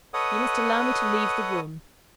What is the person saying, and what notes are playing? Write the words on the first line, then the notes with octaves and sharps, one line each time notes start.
You must allow me to leave the room.'
A4 B4 C#5 D#5 F#5 D#6